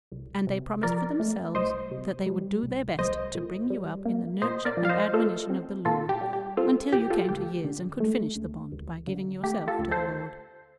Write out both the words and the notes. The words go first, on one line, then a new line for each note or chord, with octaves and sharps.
And they promised for themselves that they would do their best to bring you up in the nurture and admonition of the Lord until you came to years and could finish the bond by giving yourself to the Lord.
C2
C3
F3 A#4 D5
A3
C2 C5 D#5
C3
G3
C2
C2 C5 D#5
A#2
G3
A#3
A#2 C5 D#5
A#4 D5
F3
F5
C5 D#5
A3 F4 A4
C4
A#2 F4 A4
G4
G3
G4
C4 F4 A4
A#2 G4
F4 A4
D2 G4
D3
A3
D2
D2
D3
A3 G4
F4 A4
D2
A4 C5